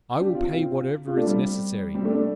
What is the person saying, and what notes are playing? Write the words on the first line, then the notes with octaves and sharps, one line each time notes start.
I will pay whatever is necessary.
D4 G4
C4 F4
C4 F4
C4 F4
A3 D4
G3 C4
G3 C4
A3 D4
A3 D4